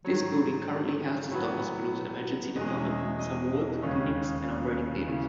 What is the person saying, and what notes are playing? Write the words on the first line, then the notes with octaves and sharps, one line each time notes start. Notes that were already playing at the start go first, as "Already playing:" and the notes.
This building currently houses the hospital's emergency department, some wards, clinics and operating theatres.
G#2 D#3 F#3 C#5
A2 F#3 B3
E2 B2 G#3 C#4 D#5
E5
E5
D#5
D#2 C#3 G#3 C#4
C#3 E3